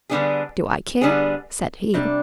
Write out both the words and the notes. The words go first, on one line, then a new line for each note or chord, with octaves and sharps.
"Do I care?" said he.
D3 G3 B3 D4 G#4
D3 G3 B3 D4 G#4
C3 G3 D4